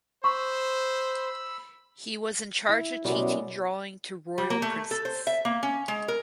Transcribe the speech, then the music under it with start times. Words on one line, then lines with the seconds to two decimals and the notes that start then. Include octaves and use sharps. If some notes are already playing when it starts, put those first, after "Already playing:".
He was in charge of teaching drawing to royal princes.
0.24 C5 B5 C#6 E6
2.69 E4
3.05 F#2 B2 G3 G#3
4.38 G3
4.50 A#3
4.62 A3
4.91 A4
5.05 C5
5.27 E5
5.45 A#3
5.63 C#4
5.88 G#3
6.08 A#4